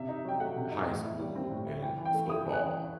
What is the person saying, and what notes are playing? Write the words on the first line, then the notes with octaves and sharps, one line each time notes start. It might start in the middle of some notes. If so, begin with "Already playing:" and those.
high school and football,
Already playing: C3 E5
D#4
F#3 G5
A3 F#5
C3
D#4
A2
E4
G3
C4
A2
E4
E3 G5
E3
G5
A3
E4 D#6
E3
F#6